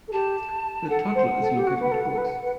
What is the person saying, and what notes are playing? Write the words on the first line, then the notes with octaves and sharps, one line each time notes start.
A toddler is looking at books.
A4
G4 A5
A4 F#5
C5
A4
G4
F#4
B4
A4
A4
B4
B4